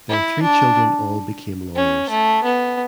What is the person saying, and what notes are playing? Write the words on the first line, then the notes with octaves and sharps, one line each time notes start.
Their three children all became lawyers.
E4
D4
C#4
A3
B3